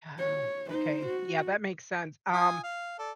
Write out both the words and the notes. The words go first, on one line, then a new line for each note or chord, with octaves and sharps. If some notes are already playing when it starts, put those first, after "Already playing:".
Oh, okay. Yeah, that makes sense. Um,
C#5
D#4 C5
F#4
F4 G#5 D#6
F5
A4 D5